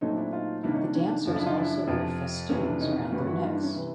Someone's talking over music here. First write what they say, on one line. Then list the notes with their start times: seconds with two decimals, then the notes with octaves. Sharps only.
The dancers also wear festoons around their necks.
0.01 A#2 F#3 A3 C4 C#4 D#4
0.17 D4 E4
0.33 D#4 F4
0.63 C3 D#3 G3 A#3 D4 E4
0.74 C#4 D#4
0.84 D4
0.95 C#4
1.05 D4
1.26 F#2 C#3 F3
1.36 D4 E4
1.46 D#4 F4
1.57 D4 E4
1.87 F2 C3 F3
2.49 F2 C3 E3 C#4
2.64 D4
2.80 C#4 D#4
3.11 G2 E3 G3 A#3 E4 F#4
3.27 E4 F#4
3.42 D#4 F4
3.53 D4 E4
3.63 C#4
3.75 C3 E3